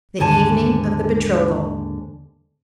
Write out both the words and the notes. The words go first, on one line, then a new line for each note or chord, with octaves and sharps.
The Evening of the Betrothal.
D#2 G#2 D3 G#5 A5